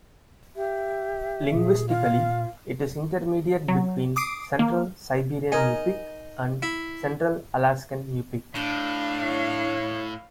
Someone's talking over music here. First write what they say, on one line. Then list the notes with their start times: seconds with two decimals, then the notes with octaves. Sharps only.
Linguistically, it is intermediate between Central Siberian Yupik and Central Alaskan Yup'ik.
0.56 G4 E5
1.54 A#2 G#4
1.89 F4 F5
3.68 F#3
4.16 D6 D#6 C7 D7
4.59 A#3
5.52 D#4 A#4 D#5 G#5
6.62 E4
8.55 A2 D4 F5
9.22 E4 C#5